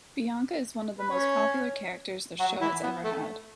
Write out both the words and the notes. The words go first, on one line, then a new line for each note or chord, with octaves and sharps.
Bianca is one of the most popular characters the show has ever had.
B4
C#4 C#5
F#3 F#4
E3 E4
B3
A3